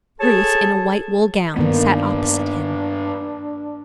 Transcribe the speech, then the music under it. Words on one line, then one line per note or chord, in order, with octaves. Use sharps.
Ruth, in a white wool gown, sat opposite him.
G#4 A4 C#5 A5
G2 D#3 A#3 B3 D4